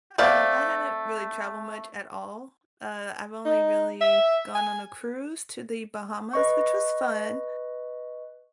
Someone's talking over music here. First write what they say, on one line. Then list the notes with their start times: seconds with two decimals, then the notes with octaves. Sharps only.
Um, I haven't really traveled much at all. Uh, I've only really gone on a cruise to the Bahamas, which was fun.
0.18 A3 C4 D5 F5
3.46 D#4
4.01 E5
4.55 G#5
6.33 B4 D#5 C#6